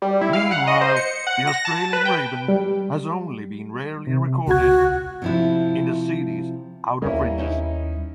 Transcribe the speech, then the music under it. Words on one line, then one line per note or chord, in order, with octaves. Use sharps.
Meanwhile, the Australian raven has only been rarely recorded in the city's outer fringes.
G3
E4
F5
F#5
D#5
C5
C#7
F#5
A#6
A5
B4
G5
G3
C3
C#2 F#4 G#6
C3 F3 E4
D#2 G3 A#3 C#4 E4
C#4 D#4 E4